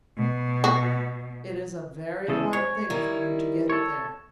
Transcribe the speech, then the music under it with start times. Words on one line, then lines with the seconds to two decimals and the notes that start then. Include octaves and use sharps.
It is a very hard thing for you to get there.
0.17 B2
0.64 F#4
2.28 E2 C#3 A4
2.53 G#2 C#5
2.90 D#3 G3 E4
3.70 A4 C#5